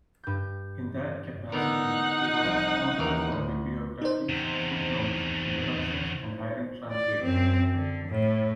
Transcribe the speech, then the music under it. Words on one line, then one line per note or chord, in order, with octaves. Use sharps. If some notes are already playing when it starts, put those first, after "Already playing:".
In that capacity, he was responsible for bibliographies, footnotes, introductions, and hiring translators.
G2 G6
D3 B3 D#4 A#4 F#5
C2 F3
D#2 E3 A#4
D2
D#4 C5
E2 C3
D5
F#2 C4
D3
A2